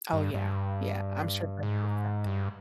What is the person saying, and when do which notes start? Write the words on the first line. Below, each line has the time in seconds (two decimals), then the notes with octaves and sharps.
Oh, yeah, yeah, I'm sure that's just something
0.13 G2
0.34 G2
1.63 G#2
2.26 G2